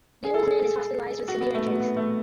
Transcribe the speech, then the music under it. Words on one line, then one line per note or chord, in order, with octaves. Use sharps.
The old man is hospitalized with severe injuries.
G#4
A4
G#4
F#4
B3
A3
B3
B3
A3